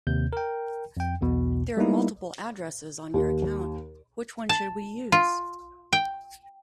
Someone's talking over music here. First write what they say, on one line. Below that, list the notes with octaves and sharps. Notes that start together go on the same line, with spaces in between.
There are multiple addresses on your account, which one should we use?
D#2 C3 G6
A#4 G5
F2 G5
B1 E2 B2
G3 A#3 B3 D#4 E4
D#2
A5
F4
G5